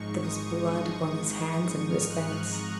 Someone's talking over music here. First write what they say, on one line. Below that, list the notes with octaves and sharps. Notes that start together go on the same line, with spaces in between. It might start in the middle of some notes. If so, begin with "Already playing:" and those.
There was blood upon his hands and wrist-bands!
Already playing: G#1 G#2 F3 G#3 D#4 C#6
G#1 D#6
G#2 F3 G#3 D#4
G#1
G#2 F3 G#3 D#4
G#1 F6
F#6
G#2 F3 G#3 D#4 F6
A#5